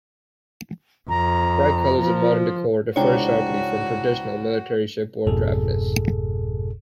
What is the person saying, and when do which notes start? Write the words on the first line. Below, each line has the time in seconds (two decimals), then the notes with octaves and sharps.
Bright colors and modern decor differ sharply from traditional military shipboard drabness.
1.09 F2 A#5
2.00 F3
2.96 C#2 D4 E4 F#4 C5 C#5 G5 A#5
5.26 G1 F2 G#2 B2 G#4 A4